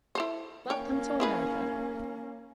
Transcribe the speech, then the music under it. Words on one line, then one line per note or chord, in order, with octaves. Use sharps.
Welcome to America.
E4 A4 C5
A#3 C#4 C#5 G5
E4 G#4 B4